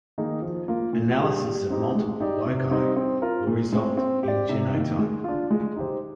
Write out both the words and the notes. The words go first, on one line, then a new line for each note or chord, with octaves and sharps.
Analysis of multiple loci will result in a genotype.
D#3 A#3 D#4 G#4
F3
A#3 F4
A#2
G3 D4 G#4
G3
C4 D#4 G4
G#3
D#4 G4 D5
C3
G3 C4 D#4
C4
F4 A#4
A#2
G#3 C4
C4
G4 D5
C3
D#3 A#3
G#3
D4 F4
G#3
D#4 G4 C5